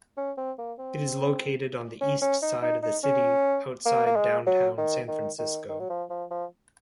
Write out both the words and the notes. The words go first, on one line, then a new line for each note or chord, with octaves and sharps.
It is located on the east side of the city, outside Downtown San Francisco.
C#4
C4
A#3
C4
C#4
C#4
D#4
D#4
D#4
C#4
A#3
A#3
G#3
F#3
D#3
D#3
D#3
D#3
F#3
F3
F3
F3